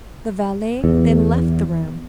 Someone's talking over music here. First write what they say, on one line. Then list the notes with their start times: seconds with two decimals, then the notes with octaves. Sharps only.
The valet then left the room.
0.84 E2